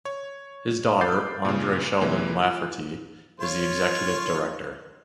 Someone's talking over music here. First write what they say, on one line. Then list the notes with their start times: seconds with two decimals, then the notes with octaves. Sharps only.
His daughter, Andrea Sheldon Lafferty, is the executive director.
0.05 C#5
1.01 B5 D6 G6 A6 C7
1.45 A#2 C#3
2.01 C3 E3 G#3 A#3
2.42 F4
3.40 F4 C#5